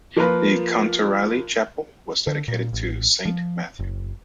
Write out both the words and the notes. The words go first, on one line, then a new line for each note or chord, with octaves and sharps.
The Contarelli Chapel was dedicated to Saint Matthew.
F3 A#3 F4 A#4 B4
D3
A#2
A1
F3
F#1